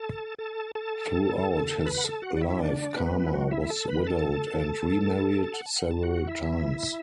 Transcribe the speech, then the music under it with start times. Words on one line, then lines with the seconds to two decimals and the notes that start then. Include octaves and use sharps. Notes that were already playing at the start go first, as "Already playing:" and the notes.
Throughout his life Khama was widowed and remarried several times.
Already playing: A4 A5
0.38 A4 A5
0.75 A4 A5
1.86 B4 B5
1.97 F#5
2.04 A4 A5
2.22 F#4 F#5
2.37 D5
2.41 E4 E5
2.59 D4 D5
2.96 B3 B4
3.24 E4
3.33 F#3 F#4
3.51 E4 E5
3.70 A4 A5
3.88 B4 B5
4.07 A4 A5
5.54 F#5
5.66 A5
5.78 F#5
5.91 A5
6.03 F#4 F#5
6.27 E4 E5